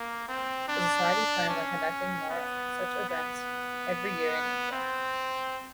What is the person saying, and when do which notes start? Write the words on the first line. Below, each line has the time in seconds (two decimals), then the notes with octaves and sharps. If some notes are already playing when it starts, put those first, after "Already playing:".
The society plans on conducting more such events every year in India.
Already playing: A#3
0.28 C4
0.68 D4
1.49 C#4
2.30 B3
3.10 B3
4.72 C4